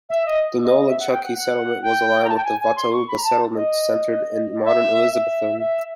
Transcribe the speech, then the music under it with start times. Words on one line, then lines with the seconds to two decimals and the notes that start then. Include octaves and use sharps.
The Nolichucky settlement was aligned with the Watauga settlement, centered in modern Elizabethton.
0.09 E5
0.26 D#5
0.65 D#5
0.80 D#5
0.88 E5
0.99 F#5
1.12 G5
1.23 F#5
1.36 F#5
1.82 G5
2.25 A#5
2.29 A5
2.37 G5
2.44 G#5
2.60 G#5
2.76 C6
2.93 C#6
3.08 B5
3.17 A#5
3.23 A5
3.56 D#5
4.65 E5
5.13 E5
5.59 E5